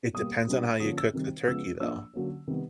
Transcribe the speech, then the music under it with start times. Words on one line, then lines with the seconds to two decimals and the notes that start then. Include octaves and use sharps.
It depends on how you cook the turkey, though.
0.13 B2 G3 A#3 D#6
0.47 B2 G3 A#3 D4
0.80 D3 F3 A#3 C#4 D#6
0.98 E6
1.14 C3 D#3 G3 C4
1.47 C#3 F3 G#3 B3 E6
1.80 F3 A#3 D4 E6
2.14 D3 F#3 A#3 C#4
2.47 C3 D#3 G3 B3